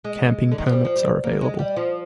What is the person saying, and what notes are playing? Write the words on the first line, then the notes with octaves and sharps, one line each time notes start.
Camping permits are available.
G#3
D3
D#3
F3
G3
F3
G3
A#3
G#3
G3
F3